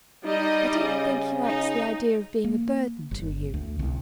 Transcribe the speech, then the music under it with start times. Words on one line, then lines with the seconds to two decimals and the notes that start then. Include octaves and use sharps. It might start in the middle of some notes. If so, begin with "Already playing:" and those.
"I don't think he likes the idea of being a burden to you."
0.25 G3 D#4 D#5
0.79 C#3
1.45 D#4
2.44 A#3
3.11 G1
3.54 D2
3.79 C2